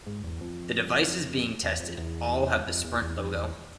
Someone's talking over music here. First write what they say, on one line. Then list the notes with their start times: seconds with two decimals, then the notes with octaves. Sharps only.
The devices being tested all have the Sprint logo.
0.07 G#2
0.24 E2
0.41 F2
1.63 E2
1.80 F2
1.98 E2
2.67 F2
2.84 E2
3.02 E2
3.19 F2
3.36 E2